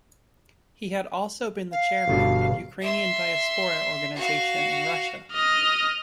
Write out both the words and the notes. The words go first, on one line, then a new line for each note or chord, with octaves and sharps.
He had also been the chairman of Ukrainian diaspora organisation in Russia.
F5
G1 B2 D4
E5 C6
F#4 F5
D#5 F6